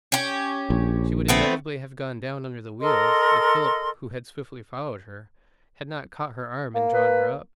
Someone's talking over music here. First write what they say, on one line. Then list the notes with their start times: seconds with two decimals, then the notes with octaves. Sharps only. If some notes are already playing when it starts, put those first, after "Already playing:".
She would inevitably have gone down under the wheels, if Philip, who had swiftly followed her, had not caught her arm and drawn her up.
0.12 C#4 G4
0.70 A#1
1.28 A3 B3 C4
2.81 A4 A#4 D#5 C6
6.75 A#3
6.94 B4